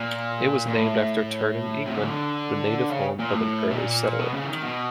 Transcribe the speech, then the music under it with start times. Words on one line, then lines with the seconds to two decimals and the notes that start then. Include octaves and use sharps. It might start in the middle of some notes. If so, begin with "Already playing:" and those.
It was named after Turton, England, the native home of an early settler.
Already playing: A#2
0.67 A#2
0.76 A2
1.86 C3
1.95 C#3
2.05 D3
2.90 C#3
3.19 A#2
3.33 A2
3.71 B2
3.76 A#2
4.19 B2
4.34 C#3
4.43 E3
4.48 D#3
4.62 B2